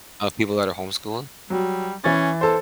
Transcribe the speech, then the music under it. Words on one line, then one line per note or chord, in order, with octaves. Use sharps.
Of people that are homeschooling?
F#3 G3
E3 C#4 A6
E3 A4 C5